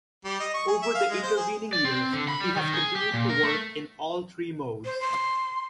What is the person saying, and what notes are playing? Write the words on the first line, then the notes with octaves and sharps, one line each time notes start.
Over the intervening years, he has continued to work in all three modes.
G3
D#5
C#6
G#4
E5
F5
G#3
C5
G#4
D5
C4
D3
B5
G3
D#3
G#4
G4
A#2
A#4
A3
C5
C6